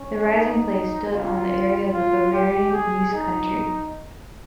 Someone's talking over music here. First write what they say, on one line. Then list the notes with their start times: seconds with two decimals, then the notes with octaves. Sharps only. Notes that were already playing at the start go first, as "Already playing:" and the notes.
The rising place stood on the area of the Bavarian east country.
Already playing: C#4
0.32 D#4
1.12 F4
1.93 F4
2.33 G4
2.73 G#4
3.14 D#4